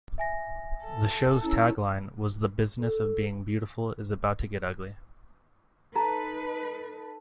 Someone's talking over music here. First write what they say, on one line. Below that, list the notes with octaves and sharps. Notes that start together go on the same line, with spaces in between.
The show's tagline was The business of being beautiful is about to get ugly.
E5 G#5 A#6
A4
C#4 E4 A#5 E6
A4
D#4 A4 B4 A#5